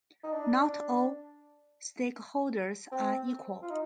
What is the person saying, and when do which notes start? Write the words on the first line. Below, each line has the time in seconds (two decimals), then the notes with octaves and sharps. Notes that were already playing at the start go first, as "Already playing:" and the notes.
Not all stakeholders are equal.
0.23 D#4
0.32 D4
2.91 C4
3.62 F4
3.70 D#4